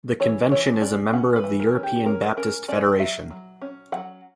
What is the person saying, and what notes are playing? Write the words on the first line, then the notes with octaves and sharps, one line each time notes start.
The convention is a member of the European Baptist Federation.
E3 C#5
E3 C#5
C#4 D5
C#4 F#5
B4
E3
A#4
C#4
G4
C#4 A#4
C#4 A#4
C#4 D5
F#3 E5
F#3
C#4
F#3 F#5